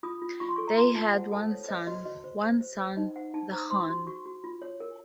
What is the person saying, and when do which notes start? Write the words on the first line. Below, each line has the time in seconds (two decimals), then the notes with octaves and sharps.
They had one son, one son, The Hon.
0.03 F4 D#6
0.22 F4
0.40 F4 C#6
0.49 C6
0.56 A4 C#6
0.68 A#5
0.77 F4 C6
0.95 F4 A5
1.13 C5 F#5
1.32 A4 A5
1.50 C5 C#5
1.68 C5 D#5
1.87 F#4 D#5
2.05 F#4 D#5
2.24 C5
2.43 C5
2.61 C5
2.78 C5
2.97 D#4 D#5
3.16 C5 F#5
3.34 D#4 A5
3.52 C5 A#5
3.70 C5 C6
3.89 F#4 C6
4.07 F#4 C#6
4.26 F#4
4.44 F4
4.62 C#5
4.80 A#4